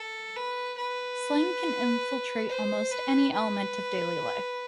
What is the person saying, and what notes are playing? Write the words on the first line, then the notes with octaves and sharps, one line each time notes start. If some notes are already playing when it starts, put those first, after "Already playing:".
Slang can infiltrate almost any element of daily life.
Already playing: A4
B4
B4
C5
B4
B4